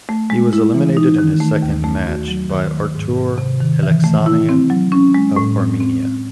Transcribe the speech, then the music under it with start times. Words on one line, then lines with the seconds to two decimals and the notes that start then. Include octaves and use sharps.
He was eliminated in his second match by Artur Aleksanyan of Armenia.
0.09 A3
0.30 G#3
0.53 E4
0.74 E3
0.97 D#4
1.18 D#3
1.40 A3
1.62 D#2
1.84 A3
2.07 F#4
2.28 F#3
2.50 D#3
2.72 A3
2.95 G#2
3.17 G#2
3.38 C3
3.60 D#3
3.83 E3
4.04 A3
4.26 E4
4.49 C4
4.70 F#3
4.92 C#4
5.14 G#3
5.36 A2
5.59 C4
5.80 C4
6.02 C4